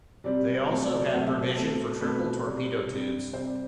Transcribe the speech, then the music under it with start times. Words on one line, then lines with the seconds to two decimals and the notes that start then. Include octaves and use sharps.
They also had provision for triple torpedo tubes.
0.24 C3 G3 C4 D5
0.68 B2 F#3 A3 C4 C5
0.83 D5
0.98 D5
1.12 B2 F#3 A3 C4 F#5
1.27 E5
1.42 C5
1.56 B2 A3 C4 A4
2.00 B2 A3 C4 B4
2.45 C3 G3 C4
2.90 C3 G3 C4
3.33 C3 G3 C4 C5